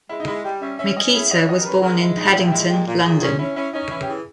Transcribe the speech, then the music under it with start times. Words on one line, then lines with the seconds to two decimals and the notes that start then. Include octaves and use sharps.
Miquita was born in Paddington, London.
0.09 G#3 E4
0.20 D#4
0.27 G#3 E4
0.44 G3 G4
0.62 C#4 E5
0.78 C#4 E5
0.97 C#4 D#5
1.14 E4 G#4
1.31 C#4 D#5
1.48 G3 D#5
1.61 A#4
1.65 C#4 B4
1.83 G#3 A#4
2.00 G#3 E4
2.17 A#2 D#4
2.34 A#2 E4
2.47 G4
2.52 G#3 E4
2.69 A#2 G4
2.87 A#2
3.04 A#2 G#4
3.21 C#4 G#4
3.39 C#4 E4
3.56 C#4 E4
3.73 C#4 D#4
3.90 E3 E4
4.02 G4
4.07 E3 G#4